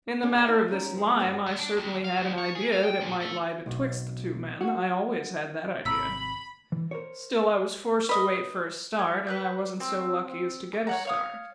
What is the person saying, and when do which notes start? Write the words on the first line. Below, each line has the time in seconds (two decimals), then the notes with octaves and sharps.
In the matter of this lime, I certainly had an idea that it might lie betwixt the two men; I always had that idea. Still I was forced to wait for a start, and I wasn't so lucky as to get a start.
0.23 C#4 D4 G4
0.35 G4 A4 A#4 D5 G5
0.48 E4 D5
0.68 D#2 G#3 C#4 A#4
0.93 F3 G#3
1.19 G2 F#3 A#3 B3 C#4 F#4
1.46 D#2
1.59 D4
1.77 D#2
2.04 F5
2.18 D#2
2.38 C#5
2.55 G#4
2.72 F5
2.84 G5
3.01 A#2
3.21 A3
3.66 B1
4.61 F#4
5.85 G#1 C3 A#5 B5 E6 B6
6.72 E3
6.91 A#4 C5 C#5
8.09 B4 D#5
8.99 C#5
9.27 B4 F#6 G6
9.80 C4
10.73 D6
10.87 C#5 F#5 A#5
11.05 C#5 F5 D#6